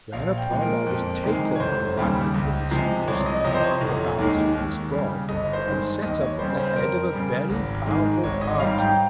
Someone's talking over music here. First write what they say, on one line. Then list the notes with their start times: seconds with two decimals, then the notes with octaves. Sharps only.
Whereupon I was taken from my magnificent Prison, the Bowels of his God, and set up at the Head of a very powerful Party.
0.13 A#1 F5
0.38 G5
0.51 A#2 F3 G#3
0.62 A#4
0.86 F2
1.24 C3 D#3 G#3
1.55 C#5
1.60 F1 C5
1.97 D#2 C#3 G3
2.34 C#2
2.71 C3 F3 G#3
3.08 C2 C#5
3.26 D#5
3.44 C3 F3 D#5
3.54 C5
3.63 C#5
3.81 F1
4.18 D#2 D#3 G#3
4.55 D#2
4.91 C#3 G3
5.29 G1 D#5
5.53 C5
5.65 G2 D#3 G#3
6.02 D#2 D#5
6.21 C#5
6.39 C#3 G3 C5
6.57 C5
6.76 F2 A#4
7.13 C#3 G3
7.49 G#1
7.87 G#2 D#3 G#3
8.23 G#1 C#5
8.41 D#5
8.59 G#2 G3 F5
8.78 G5